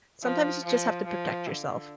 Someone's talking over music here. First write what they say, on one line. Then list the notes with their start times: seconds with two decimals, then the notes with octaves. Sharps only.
"Sometimes you just have to protect yourself."
0.22 F3
0.65 F3
1.07 F3
1.47 D3